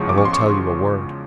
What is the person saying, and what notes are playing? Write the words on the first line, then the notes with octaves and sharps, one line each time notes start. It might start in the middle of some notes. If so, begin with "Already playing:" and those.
"I won't tell you a word."
Already playing: E2 C#3 F3 G#3 C#6
D6
C#6
C6
C#6